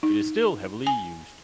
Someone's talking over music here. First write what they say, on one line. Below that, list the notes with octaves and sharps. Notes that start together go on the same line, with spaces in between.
It is still heavily used.
D#4
G#5